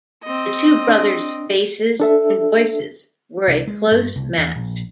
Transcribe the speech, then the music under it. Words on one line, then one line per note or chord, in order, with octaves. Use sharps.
The two brothers' faces and voices were a close match.
C4 D#5
D4
D4 A4 E5
C2
G#3
G2
C2
E2
A#1